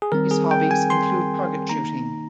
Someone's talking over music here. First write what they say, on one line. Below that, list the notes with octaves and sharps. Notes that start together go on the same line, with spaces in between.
His hobbies include target shooting.
G#4
D#3 G3 C4 A#4
G#4
G5
G#5
C6
D#3 A#3 D#4 A#5